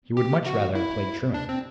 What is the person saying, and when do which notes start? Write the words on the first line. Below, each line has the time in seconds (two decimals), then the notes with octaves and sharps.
He would much rather have played truant.
0.17 G4
0.46 F#4
0.75 E4
1.34 D4
1.49 C4